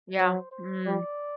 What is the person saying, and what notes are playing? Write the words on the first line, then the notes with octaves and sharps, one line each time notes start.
Yeah. Mm.
F#3 C5
C5
G3 D5